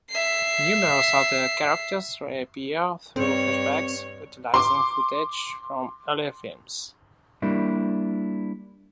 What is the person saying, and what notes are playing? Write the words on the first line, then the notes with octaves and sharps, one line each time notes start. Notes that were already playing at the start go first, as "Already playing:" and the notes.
Numerous other characters re-appear through flashbacks utilizing footage from earlier films.
E5 C7
G2 C4 C#5
C6 D6
G3 A#3 D4 E4